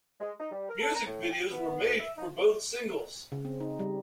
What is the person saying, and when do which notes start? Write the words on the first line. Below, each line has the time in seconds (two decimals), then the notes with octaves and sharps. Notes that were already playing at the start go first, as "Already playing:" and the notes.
Music videos were made for both singles.
0.20 G#3
0.39 D#4
0.52 G3
0.69 A#4
0.81 A4
0.94 A#5
1.06 A2
1.30 G5
1.51 B3
1.81 D2
1.99 E5
2.17 D#4
3.32 C#3
3.45 C4
3.60 D#4
3.79 G3